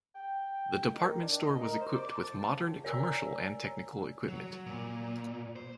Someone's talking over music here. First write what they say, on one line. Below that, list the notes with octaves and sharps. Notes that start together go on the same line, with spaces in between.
The department store was equipped with modern commercial and technical equipment.
G5
D#3
D4
D#5
A#4
C5
D6
A5
C#2
A#4 C#5 D5 G#5 A#5 E6
F#3
A#2
C5